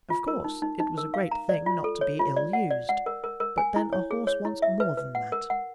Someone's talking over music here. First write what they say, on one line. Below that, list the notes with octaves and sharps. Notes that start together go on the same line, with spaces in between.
Of course, it was a great thing not to be ill-used, but then a horse wants more than that.
F4
A#4
D#4
D#4
D#4
A#4
F5
A#5
D5
F4
A4
C#5
F4
D5
F#5
D5
F#5
A#4
A#4
A#4
G#5
E4
C#5
G#4
C#5
E4
E5
B4
B4
F#5
A#4
F#5